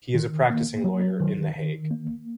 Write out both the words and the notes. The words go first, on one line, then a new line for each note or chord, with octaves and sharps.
He is a practising lawyer in The Hague.
D#3
A#3
F#3
D#3
D#3
A#3